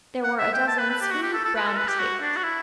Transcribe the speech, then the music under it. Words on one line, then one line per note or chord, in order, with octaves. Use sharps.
There were a dozen smooth, brown potatoes.
F#5
E5
G5
A5
B4
B4
G4
F#4
G4
A4
A4
B4
A4
B4
G4
F#4
D4
F#4
E4